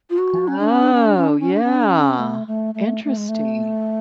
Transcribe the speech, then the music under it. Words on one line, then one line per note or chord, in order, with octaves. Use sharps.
Oh, yeah, interesting.
F4
F#4
C#4
D4
C#4
D4
C#4
D4
C#4
D4
C#4
D4
C#4
D4
C#4
A3
A3
A3
A3
G#3
A3